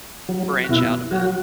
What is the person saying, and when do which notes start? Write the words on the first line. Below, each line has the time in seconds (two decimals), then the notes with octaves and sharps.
branch out a bit.
0.29 F#3
0.64 F#4
0.69 B2 E4
1.11 F#3 F#4